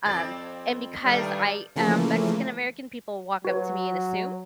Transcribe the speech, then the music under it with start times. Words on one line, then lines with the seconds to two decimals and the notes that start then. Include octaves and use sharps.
um, and because I am Mexican-American, people walk up to me and assume
0.06 F2 C4 D5 A6
1.04 G2 D#3 G3 A3 D5
1.76 C#3 E3 F3 A3 A#3
3.45 F#3 F#4 B4 C#5